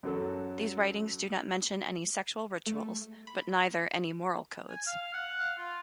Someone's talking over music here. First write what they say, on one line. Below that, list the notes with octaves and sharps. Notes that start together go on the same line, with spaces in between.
These writings do not mention any sexual rituals, but neither any moral codes.
F#2 F#3 A4
A3
B5
G#5
F5
F#5
F5
F4